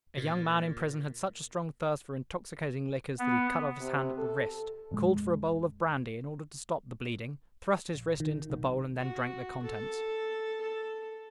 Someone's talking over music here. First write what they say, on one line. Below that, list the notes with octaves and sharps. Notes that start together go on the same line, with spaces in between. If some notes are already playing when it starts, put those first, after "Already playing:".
A young man in prison had such a strong thirst for intoxicating liquors, that he cut off his hand at the wrist, called for a bowl of brandy in order to stop the bleeding, thrust his wrist into the bowl, and then drank the contents.
A#2
B3
C3
A4
F2 A#2 G#3
A#1
D#3
B1
F#4
A4
A4